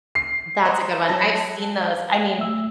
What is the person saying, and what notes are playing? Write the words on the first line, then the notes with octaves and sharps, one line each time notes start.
That's a good one, I've seen those, I mean
C7
C5 D#5 A#5
F#3 A5 A#6
F5
A3 E5 E6